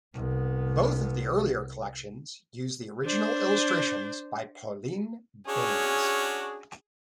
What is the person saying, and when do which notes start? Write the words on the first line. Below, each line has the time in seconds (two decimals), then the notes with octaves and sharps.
Both of the earlier collections use the original illustrations by Pauline Baynes.
0.15 C2 B3
3.05 D4 C5
5.47 C#4 D4 F#4 G#4